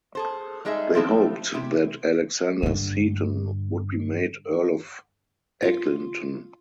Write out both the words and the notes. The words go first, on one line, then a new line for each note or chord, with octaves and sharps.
They hoped that Alexander Seton would be made Earl of Eglinton.
G#4 A4 C5
G3 G#3 D#4 G#4 A4 E5
F3 G3 A3 C4 E4
C3 E4 G4
G2 D3
F4